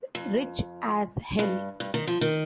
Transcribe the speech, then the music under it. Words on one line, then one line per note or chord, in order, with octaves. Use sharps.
Rich as hell.
F2
G2
G2
D#3
F3
D#3